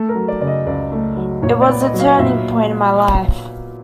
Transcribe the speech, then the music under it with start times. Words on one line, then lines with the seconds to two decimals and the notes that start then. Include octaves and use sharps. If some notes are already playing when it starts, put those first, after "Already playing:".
It was the turning point in my life.
Already playing: A3 A4
0.09 A#4
0.15 F#3
0.28 D5
0.41 C#3 D5
0.47 D#5
0.66 C#2 D5
0.92 A3
1.17 F#3
1.42 A#2 C#5
1.62 D5
1.68 B3
1.80 D#5
1.94 F#3
2.00 F5
2.19 A#2 E5